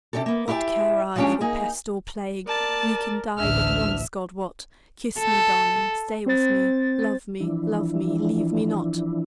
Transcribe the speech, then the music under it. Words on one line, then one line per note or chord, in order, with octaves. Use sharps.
"What care I for pest or plague? We can die but once, God wot, Kiss me darling--stay with me: Love me--love me, leave me not!"
C3 D#3 D4 G4 A4
A#3 B3
E4 G4 E5 F#5 A5
F3 G3 G#3 C#4 D4 G4
A#3 D#4 G#4
A#4 D5 A5
A1 D2 D4 E5 F6
A4
C4 C5 A6
E3 F3 D4 E4